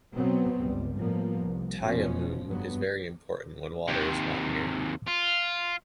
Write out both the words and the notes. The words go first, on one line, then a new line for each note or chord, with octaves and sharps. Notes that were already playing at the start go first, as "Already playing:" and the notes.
Tayammum is very important when water is not near.
B2 F#3 B3 C4
G1 C#2 G3
A2 F3 G3 A#3 B3
C2
F1 B2 F3 C#4
G2 F#3 B3
D#2 C3
F4